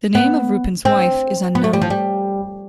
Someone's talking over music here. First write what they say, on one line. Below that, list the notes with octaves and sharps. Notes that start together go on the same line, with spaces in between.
The name of Roupen's wife is unknown.
B3
C4
B3
A3
G3
F3
G3